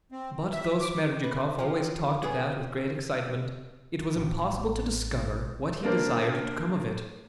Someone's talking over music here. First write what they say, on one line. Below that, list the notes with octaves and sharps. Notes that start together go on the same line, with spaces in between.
But though Smerdyakov always talked of that with great excitement, it was impossible to discover what he desired to come of it.
C4
E3
E5
D6
B4
F3 G4
B3 G#4
A1
A#3 D4 A#4 C5